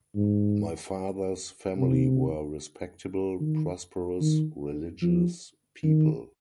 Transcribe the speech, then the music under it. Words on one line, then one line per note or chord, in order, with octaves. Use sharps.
My father's family were respectable, prosperous, religious people.
G#2
C3
D#3
D#3
F3
D#3